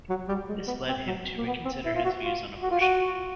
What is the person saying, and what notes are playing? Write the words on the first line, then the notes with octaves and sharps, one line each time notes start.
This led him to reconsider his views on abortion.
F#3
G3
G#3
B3
C4
F#3
A#3
B3
C4
E4
F4
F#4
F4
F#4
F4
F#4